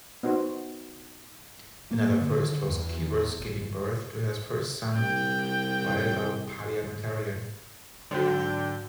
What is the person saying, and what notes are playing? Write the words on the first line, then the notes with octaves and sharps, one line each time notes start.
Another first was Kyburz giving birth to her first son while a parliamentarian.
B3 D#4 F#4 C5
A#3
D3
E2
C2 G5
G#2 D3 F#3 F#4 C5 G5 C6